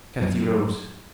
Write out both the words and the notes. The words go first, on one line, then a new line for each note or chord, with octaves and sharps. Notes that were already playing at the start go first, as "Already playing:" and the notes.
Cathy rose.
F#2 F#3